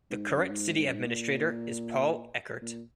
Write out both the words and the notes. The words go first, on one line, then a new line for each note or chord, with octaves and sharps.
The current city administrator is Paul Eckert.
G#2
F#2
G#2
G#2
F#2
G#2
A#2
A#2